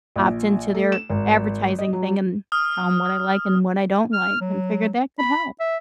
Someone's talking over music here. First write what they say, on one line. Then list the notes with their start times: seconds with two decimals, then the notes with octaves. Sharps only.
opt into their advertising thing and tell 'em what I like and what I don't like, and figured that could help.
0.16 A#1
0.74 A3
0.92 E7
1.09 G#1
1.79 D#5
1.93 F#3
2.52 D#6 F6
4.13 F6
4.41 F#3
5.19 B5
5.60 E5